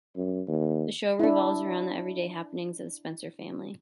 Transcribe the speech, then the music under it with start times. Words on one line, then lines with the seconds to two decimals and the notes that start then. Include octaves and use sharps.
The show revolves around the everyday happenings of the Spencer family.
0.16 F#2
0.48 D#2
1.19 D4 E4